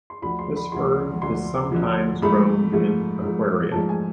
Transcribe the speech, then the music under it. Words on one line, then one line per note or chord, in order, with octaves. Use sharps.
This fern is sometimes grown in aquaria.
C6
D2 D3 F3 B5
C6
B5
D2 D3 F3 C6
D2 D3 F3 C6
D2 D3 F3
G#2 F3 A3 B5
G#2 F3 A3
G#2 F3 A3
G#2 F3 A3 A5
G#5